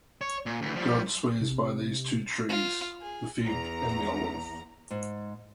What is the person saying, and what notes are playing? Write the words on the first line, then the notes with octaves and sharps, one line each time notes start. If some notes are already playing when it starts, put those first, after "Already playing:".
God swears by these two trees, the fig and the olive.
C#5
A#2
D2 E3
F3 G3
C3
F4
G#4
E2 A#5
G#2